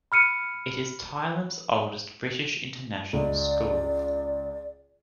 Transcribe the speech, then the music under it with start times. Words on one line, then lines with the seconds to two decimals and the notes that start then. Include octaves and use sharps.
It is Thailand's oldest British international school.
0.12 B5 F6 C#7 D#7
3.13 C#2 D5